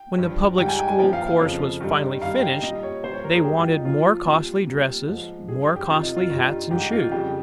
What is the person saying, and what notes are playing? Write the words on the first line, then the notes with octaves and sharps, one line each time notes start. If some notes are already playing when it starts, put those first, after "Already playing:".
When the public school course was finally finished, they wanted more costly dresses, more costly hats and shoes.
Already playing: G5
G2 F3
G#2 D#3 G3 G5
G#5
G5
G#5
A#2 F3 G5
F5
F5
F2 C#3 F3
G2 D#3 G3
G2 D#3 G3 F5
G5
A#2 D#5
G3
C#5
A#2 G3 C5
C#5
A#4
G#4
G#2 G3 G4
F4
D#4
A#2 F3 F4
A#2 G3
A#2 G3
G#2 F3
G2 G3 G#4
G#4
G4
F2 C3 D#3 F4
D#4
F4
G2 D#3 G3
G#2 D#3 G3 G4
G4
F4
F2 C#3 G3 G4